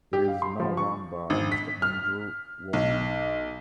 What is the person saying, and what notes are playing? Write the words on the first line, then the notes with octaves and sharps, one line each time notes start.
It is now run by Mr Andrew Walker.
G4
F5
C6
F3
C#6
G#1
B6
F6
B1